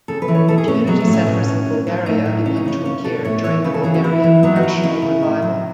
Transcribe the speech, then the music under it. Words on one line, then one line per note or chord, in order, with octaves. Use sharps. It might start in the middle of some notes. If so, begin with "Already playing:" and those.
Community centres in Bulgaria begin to appear during the Bulgarian National Revival.
C#3 A4
B4
E3
C#5
B2 A4
G#4
B2 C#4
F#3 G#3
A3
A2
C#4
B2
B2
A2
F#3
A2 D#4
F#3
C#3 C#4
D#4
C#3 C#4
B2 C#4
B2 A4
A2 C#5
E3 C#5
C#3 B4
A4
E3 G#4
F#4
E3 E4
E3
F#3 B3
F#4
F#3
E4
C#3 E4
C#3
A2
F#3